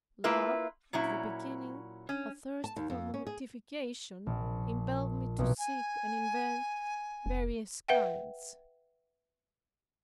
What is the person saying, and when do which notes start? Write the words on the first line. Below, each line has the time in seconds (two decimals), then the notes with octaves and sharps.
Love, at the beginning, athirst for mortification impelled me to seek and invent various kinds.
0.24 A#3 E4 F4 B4 E5
0.93 A#2 F#3 C#4 E4
2.09 C#4
2.64 A5
2.77 D#2
2.90 F2
3.14 C#4
3.27 G#4
4.26 A#1
5.38 B1
5.57 G#5
7.26 F1
7.88 B4 E5 F#5 G5